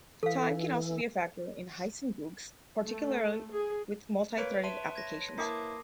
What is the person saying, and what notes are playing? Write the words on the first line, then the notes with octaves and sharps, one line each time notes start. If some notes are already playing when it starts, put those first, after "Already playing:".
Time can also be a factor in heisenbugs, particularly with multi-threaded applications.
E3 A4 F5
A3
G#4
A#3 B4 C#5 D7
E5 A5 C6 D#7
G#6 A#6
A#3 E4 A5 D6 D#6 C7